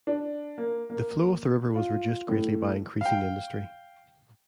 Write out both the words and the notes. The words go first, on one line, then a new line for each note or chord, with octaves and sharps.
The flow of the river was reduced greatly by increasing industry.
D4
A#3
A#3
F4
A2
F5 G5